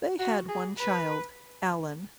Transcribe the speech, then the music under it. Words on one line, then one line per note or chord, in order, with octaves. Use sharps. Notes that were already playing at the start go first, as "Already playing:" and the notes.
They had one child: Allan.
F#4
G#4
B4